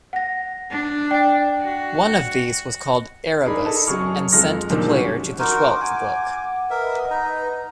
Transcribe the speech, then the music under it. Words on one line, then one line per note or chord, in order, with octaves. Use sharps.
One of these was called "Erebus" and sent the player to the twelfth book.
F#5 A#6
D4
D5 G5
F#4
D4 D#4 G#4 A#4 D5 B5
A4 D#5 A5
F#2 F#3 G#4 C#6 F6
F2 G#3 F4 A4 F6 A#6
A#2 D3 D#3 F3 G3
G3 C#4 F#4
D#4 F#4 A#4 C6 D6
F#5 G#5
A#4 B4 D#5 E5
D#4 A#5